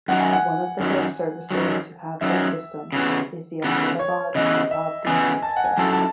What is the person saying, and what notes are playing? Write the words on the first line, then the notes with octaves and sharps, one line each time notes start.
One of the first services to have this system is the Ahmedabad Shatabdi Express.
F#2 D#3 F#3 F#5
G#5
F#5
F#2 D#3 F#3
F#2 D#3 F#3
F#2 D#3 F#3 E5
C#3 E3 B3
C#3 E3 B3
C#5
C#3 E3 B3 D#5
E5
C#3 E3 B3 G#5
A5
G#5
F#5
G#5
F#3 C#4 E4 A4 A5
A5